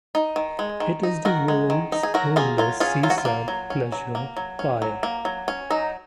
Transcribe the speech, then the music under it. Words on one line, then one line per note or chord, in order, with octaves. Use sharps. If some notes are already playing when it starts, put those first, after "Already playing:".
It is the world's oldest seaside pleasure pier.
D#4
D#3
G#3
D#3
D#4
D#3 F#4 A#4
G#3
D#3
D#4
G#4
F#3 F#4 A#4
A#3 F4 G#4
F#3 F4
C#4 F4 G#4
F#3 F4
F#4
F4
A#3
F#3
C#4
F#3
A#3
F#3
C#4
F#3
A#3
F#3
C#4
F#3 D#4